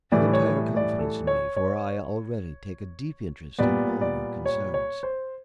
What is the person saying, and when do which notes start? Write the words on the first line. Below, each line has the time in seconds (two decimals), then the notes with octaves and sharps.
Have entire confidence in me, for I already take a deep interest in all your concerns.
0.12 A2 E3 G3 D5
0.33 C#5
0.77 D5
0.99 A4
1.27 C#5
1.57 C#5
3.59 A#2 G3 B3 D5
4.01 D5
4.46 C#5
4.74 C#5
5.03 C5